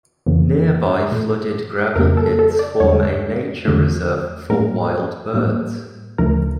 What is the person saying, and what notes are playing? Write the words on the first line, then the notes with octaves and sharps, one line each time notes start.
Nearby flooded gravel pits form a nature reserve for wild birds.
F2 C#3 E3 A#3
A#2 A3
F2 C#3 G3 A#3 A#4
A4
A4
D5
E2 D3 G3 C#5
E2 D3 A3
A2 G3 A#3 A#4
A2 G3 A#3
D2 C#3 F3 A3 A#4